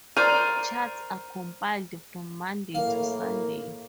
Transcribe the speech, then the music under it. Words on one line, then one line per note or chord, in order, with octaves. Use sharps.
Charts are compiled from Monday to Sunday.
A#4 C5 D5 A#5 F6 D#7
A2 A#3 A#4 F5